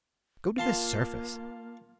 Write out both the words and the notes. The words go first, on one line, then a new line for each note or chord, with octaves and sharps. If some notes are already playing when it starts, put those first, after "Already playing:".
Go to the surface.
A#3 F4 A5 C6